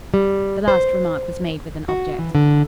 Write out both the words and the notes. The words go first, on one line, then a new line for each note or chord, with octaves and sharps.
The last remark was made with an object.
G3
C5
F#4
E3
D3